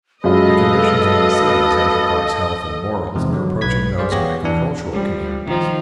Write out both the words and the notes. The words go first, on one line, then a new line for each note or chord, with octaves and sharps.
The conditions in the cities as regards health and morals are approaching those of agricultural communities.
F#2 G#3 F4 A4 B4 D#5 F5
E2 C3 D#3 F3 G#3
D3 F#3
B1 B4 G#6 B6
G#4 C5 D5 F5
E2 B3 G4 G#4 C#5 A#6
E2 E3 D4
F3 G3
D#3 F3